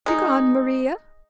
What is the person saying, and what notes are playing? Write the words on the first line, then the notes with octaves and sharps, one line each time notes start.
Begone, Maria!
G#3 D#4